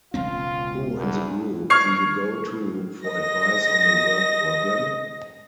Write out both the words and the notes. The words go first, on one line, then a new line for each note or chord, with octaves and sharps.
Who in the group do you go to for advice on a work problem?
E1 C#2 C4 F4
E2
C#6 F6 G#6 C7
D#5 A#6